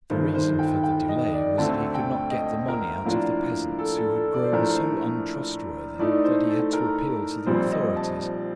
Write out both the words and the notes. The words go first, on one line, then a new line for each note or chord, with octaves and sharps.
The reason for the delay was that he could not get the money out of the peasants, who had grown so untrustworthy that he had to appeal to the authorities.
G1 G2 D#3 C5
C5
G5
G5
D#5
D5
D2 D3 A3 C4 A5
G5
D#5
A#4
A2 F3 A#3 D4 F4
A4
A4
A4
D5
C5
A#1 A2 A3 D4 F4 A#4
C5
A2 A3 D#4 D5
C5
A4
A#4
A#1 A#2 G3 C4 C5
D#5
A5